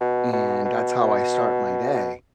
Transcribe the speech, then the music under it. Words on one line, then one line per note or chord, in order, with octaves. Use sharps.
and that's how I start my day.
B2
B2
B2
B2